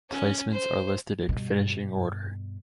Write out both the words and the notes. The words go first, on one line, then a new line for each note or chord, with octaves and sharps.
Placements are listed in finishing order.
C#4
C5
G2 B2